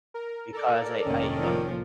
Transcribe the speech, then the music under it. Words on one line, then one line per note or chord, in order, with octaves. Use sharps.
because I I you know,
A#4
A4 A#4 D5
F1 A2 D#3 A#3 C#4
F3